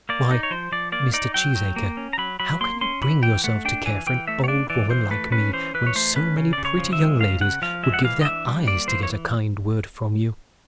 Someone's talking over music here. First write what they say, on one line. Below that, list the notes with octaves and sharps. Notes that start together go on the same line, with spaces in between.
"Why, Mr. Cheesacre, how can you bring yourself to care for an old woman like me, when so many pretty young ladies would give their eyes to get a kind word from you?"
A#3 D5
D#4
C#5
F3 C5
F3 D5
A#3 D5
D#4 D5
F#3 G5
F#3
A#3
C#4
A#5
F#3 B5
F#3 B5
A#3 C6
C#4 C6
E3 B5
E3 G5
A3 F#5
D4 G5
E3 G#5
E3 G5
A3 E5
C#5
D4 D5
E3 D5
E3 C5
A3 B4
C#4 B4
E3 C5
E3 B4
C#5
A3 C5
C#4 B4
C#3
C#3 D5
C#5
F3
E5
G#3
C#3 F5
C#3 F#5
F3 F5
G#3 E5
F#5
E3 F5
D#5
D4 E5
G3
A#3 D5
E3 C5
C#5